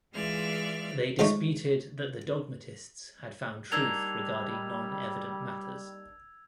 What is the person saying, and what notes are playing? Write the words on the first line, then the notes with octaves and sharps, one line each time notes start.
They disputed that the dogmatists had found truth regarding non-evident matters.
E3 G#3 F4 D5 E5 F6
F3 G#3 A3 D#4 C#5
G3 A#3 D4 D#4 E6 G#6 F7